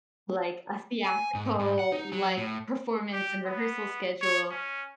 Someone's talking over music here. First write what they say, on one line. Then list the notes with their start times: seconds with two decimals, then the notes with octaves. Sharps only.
like, a theatrical, like, performance and rehearsal schedule,
1.05 G#5
1.35 G#2
1.59 G#2
1.79 F#5
1.92 D#4
2.12 F#3
2.38 A2
3.13 G4
3.46 B3
4.21 C#5
4.51 C#4